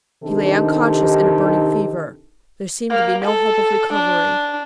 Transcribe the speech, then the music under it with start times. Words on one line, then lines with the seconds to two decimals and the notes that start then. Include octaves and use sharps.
He lay unconscious in a burning fever; there seemed to be no hope of recovery.
0.24 C3 D#3 D4 D#4 G4 A4
2.91 A#3
3.25 A4
3.93 D4